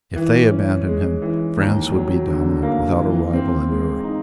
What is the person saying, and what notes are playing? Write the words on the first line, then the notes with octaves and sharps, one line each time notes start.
If they abandoned him, France would be dominant without a rival in Europe.
E3
C#4
G#3
E3
D#2
F#3
D3
A#3
E3
C4
G#3
D#4